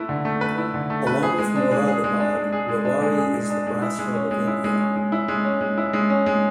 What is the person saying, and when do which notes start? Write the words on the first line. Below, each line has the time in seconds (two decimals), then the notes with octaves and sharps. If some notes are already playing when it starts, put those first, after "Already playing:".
Along with Moradabad, Rewari is the brass hub of India.
Already playing: A3 E4 B4
0.09 D3
0.25 A3
0.41 B4
0.58 E4
0.74 D3
0.90 A3
1.07 B4
1.23 G#4
1.38 G#3
1.56 D4
1.71 G#3
1.88 G#4
2.04 G#3
2.20 D4
2.36 G#3
2.52 G#4
2.69 G#3
2.85 D4
3.02 G#3
3.17 G#4
3.34 G#3
3.50 D4
3.67 G#3
3.82 E4
3.99 G#3
4.15 C#4
4.31 G#3
4.47 E4
4.64 G#3
4.80 C#4
4.96 G#3
5.12 E4
5.28 G#3
5.45 C#4
5.61 G#3
5.78 E4
5.93 G#3
6.10 C#4
6.26 G#3